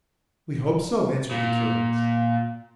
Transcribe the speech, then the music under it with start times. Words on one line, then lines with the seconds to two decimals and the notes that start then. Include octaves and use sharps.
"We hope so," answered the curates.
1.31 A#2